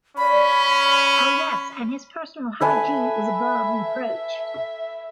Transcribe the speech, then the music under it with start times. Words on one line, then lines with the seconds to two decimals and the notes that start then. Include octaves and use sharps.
Oh yes, and his personal hygiene is above reproach.
0.17 C#4 D5 F5 B5
2.61 A4 B4 E5 G#5